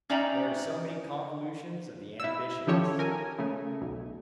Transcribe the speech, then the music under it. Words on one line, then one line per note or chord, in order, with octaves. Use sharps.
There are so many convulsions of the ambitions!
C#4 D#4 D5 E5 G5 A#5
E4 E6
D#3 F3 C#4 G4 A4 C#5
A#4 G#5
C#3 A3
B1